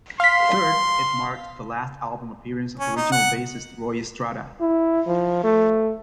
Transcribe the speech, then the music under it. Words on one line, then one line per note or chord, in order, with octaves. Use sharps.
Third, it marked the last album appearance of original bassist Roy Estrada.
F5 C6 B6
C#4
D#4
F#5
E4
F3
A3